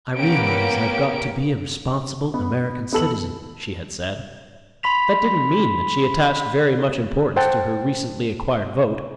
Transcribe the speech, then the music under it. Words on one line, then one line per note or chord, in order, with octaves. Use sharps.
"I realize I've got to be a responsible American citizen," she had said. That didn't mean that she attached very much importance to her recently acquired vote.
A#3 B3 C#4 G4 D7
B3
B3 A4 F#7
B5 C6 B6 F7
C5 F#5 G5 A5